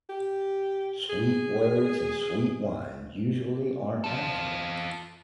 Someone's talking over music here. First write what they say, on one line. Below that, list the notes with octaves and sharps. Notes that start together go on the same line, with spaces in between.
Sweet words and sweet wine usually aren’t natural.
G4
G#4
F4 A4